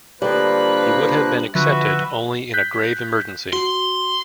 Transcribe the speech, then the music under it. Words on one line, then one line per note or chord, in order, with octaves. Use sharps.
He would have been accepted only in a grave emergency.
D3 F3 G3 A#3 B4 F#6
D3 F3 F#4 B4 E5
F#6 G6 B6
F#4 C6